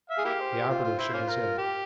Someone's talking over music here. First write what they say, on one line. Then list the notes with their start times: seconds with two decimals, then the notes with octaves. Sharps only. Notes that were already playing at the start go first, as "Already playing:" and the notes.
The operative shook his head.
0.10 E5 F5
0.18 G#4
0.25 A#3 E4 G4
0.40 C5
0.69 F4
0.84 F4
0.99 E4 C5
1.13 A#3 C#4 F4
1.29 A#4
1.58 G4